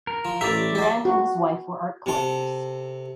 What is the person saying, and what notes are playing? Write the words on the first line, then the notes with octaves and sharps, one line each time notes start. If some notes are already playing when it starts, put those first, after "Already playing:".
Durand and his wife were art collectors.
A#4
F3
A1 G4 D5 E5 A#5
F#3 G4
F#4
C3 A4